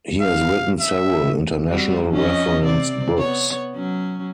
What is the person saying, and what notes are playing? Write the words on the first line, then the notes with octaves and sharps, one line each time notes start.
He has written several international reference books.
F5
E5
G3 C4 F#4
F2 C#4 D#5
C3 C4 D5
B3 C#5
F#3 C#4